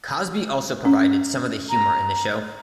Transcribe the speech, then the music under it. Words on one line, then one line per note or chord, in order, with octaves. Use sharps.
Cosby also provided some of the humor in the show.
C#4
A#5